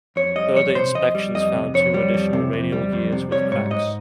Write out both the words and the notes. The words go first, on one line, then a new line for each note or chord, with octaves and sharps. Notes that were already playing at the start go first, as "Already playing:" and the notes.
Further inspections found two additional radial gears with cracks.
F2 C#5
G3 D#5
F2 C#5
C3 C5
F2 D#5
G3
F2 D#5
C3
F2 C#5
G3
F2
C3
F2
G3
F2
C3
G3 C#5
G#2 C#5
G#2 D#5